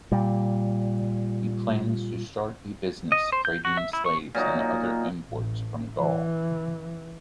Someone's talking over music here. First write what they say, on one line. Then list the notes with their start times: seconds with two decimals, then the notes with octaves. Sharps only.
He plans to start a business trading slaves and other imports from Gaul.
0.12 A#2 G3
3.12 D#5
3.32 C5
3.45 G6
3.65 F#4
3.77 E5
3.93 E4
4.06 C#6
4.35 A#2 F#3 D#4
5.30 A1
5.97 E3